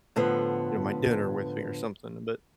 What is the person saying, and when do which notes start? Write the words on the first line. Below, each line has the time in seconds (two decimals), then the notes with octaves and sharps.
you know, my dinner with me or something, but
0.16 A2 D3 F3 B3